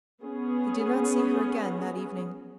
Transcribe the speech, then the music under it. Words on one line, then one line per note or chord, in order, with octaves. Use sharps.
They did not see her again that evening.
B3 C#4 G#4